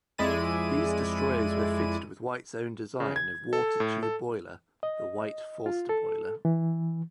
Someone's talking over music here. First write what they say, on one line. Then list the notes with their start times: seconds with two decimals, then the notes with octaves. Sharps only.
These destroyers were fitted with White's own design of water-tube boiler, the White-Forster boiler.
0.18 F2 G#3 E4 D5 D#7
3.00 C#3
3.16 G#6
3.53 A4
3.80 A2
4.03 A4
4.83 D#5
5.66 F4
5.89 A4
6.45 E3